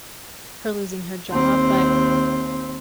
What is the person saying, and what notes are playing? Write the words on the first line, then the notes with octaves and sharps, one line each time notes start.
her losing her job, but,
D#2 C4